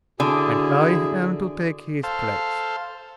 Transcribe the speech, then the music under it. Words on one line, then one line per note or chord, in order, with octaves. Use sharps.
"And I am to take his place."
D3 E4 F#4 G#4
A4 C5 F5